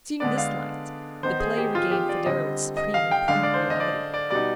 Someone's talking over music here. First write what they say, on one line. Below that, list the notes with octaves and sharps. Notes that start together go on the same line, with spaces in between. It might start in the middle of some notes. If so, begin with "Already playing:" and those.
Seen in this light, the play regained for Darrow its supreme and poignant reality.
D3 G#3 B3 D4 D5
F5
D#3 B3 D#4 C5
G#4
G4
F4
G4
D5
D3 G3 C4 D#5
D#5
F5
G5
D3 G#3 D4 F5
D5
C5
D#5
D5
D5
B2 G3 B3 D#4 D5